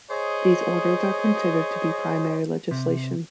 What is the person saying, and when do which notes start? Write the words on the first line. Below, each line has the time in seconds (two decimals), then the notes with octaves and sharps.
These orders are considered to be primary legislation.
0.11 G#4 C5 C#5 D#5
2.71 C3